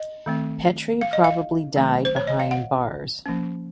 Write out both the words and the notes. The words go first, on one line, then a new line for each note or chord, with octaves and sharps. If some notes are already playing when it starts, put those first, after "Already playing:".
Petri probably died behind bars.
Already playing: D#5
D#3 A3 C4
F5
D#5
F5
D#3 F#3 A3 C4
C5
C#5
D#5
F5
F#5
F3 A#3 C#4